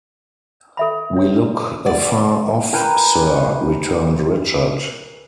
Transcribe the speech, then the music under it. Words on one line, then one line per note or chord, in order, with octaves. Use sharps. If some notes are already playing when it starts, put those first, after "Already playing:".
"We look afar off, sir," returned Richard.
A4 E5 B5
D4 C#5
D5 F#5
A#4 B4 G5 G#5